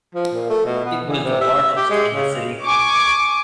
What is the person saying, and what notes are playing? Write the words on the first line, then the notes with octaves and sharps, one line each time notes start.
It was the largest in the city.
F3
A#2
A3
B2
B3
E3
C3
E5
G4
G#3
C#3
G#5 C#6 D6